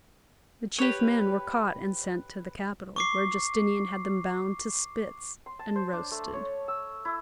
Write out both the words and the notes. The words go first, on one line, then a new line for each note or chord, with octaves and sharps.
The chief men were caught and sent to the capital, where Justinian had them bound to spits and roasted.
G4 B4 C#5
C#6 D6 C7
C6
A5
C5
D4
A3
C#5
E6
E4